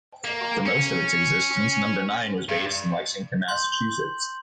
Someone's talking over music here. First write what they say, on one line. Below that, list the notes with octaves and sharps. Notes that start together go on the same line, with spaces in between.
For most of its existence, Number Nine was based in Lexington, Massachusetts.
A#3
C#4
G2
C6 G6 F#7